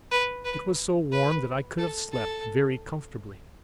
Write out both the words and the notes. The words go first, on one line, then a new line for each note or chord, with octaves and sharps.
It was so warm that I could have slept very comfortably.
B4
B4
B4
A4
A4